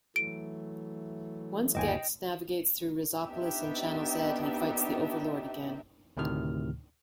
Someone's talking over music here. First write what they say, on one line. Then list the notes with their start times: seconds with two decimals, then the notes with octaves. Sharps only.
Once Gex navigates through Rezopolis and Channel Z, he fights the overlord again.
0.16 E3 F#3 A3 D7
1.75 G1 D#2 D#5 G5 G#5
3.26 B3 C4 D4 D#4 G4 E5
6.17 D2 A2 C3 D#3 F6